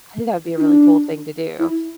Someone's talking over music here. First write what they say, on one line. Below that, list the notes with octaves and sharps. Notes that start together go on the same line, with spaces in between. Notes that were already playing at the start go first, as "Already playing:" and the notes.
I think that would be a really cool thing to do. It's
E4
D4
E4